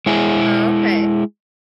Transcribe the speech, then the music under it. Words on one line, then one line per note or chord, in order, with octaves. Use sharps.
Oh, okay,
G#3 E4 G#4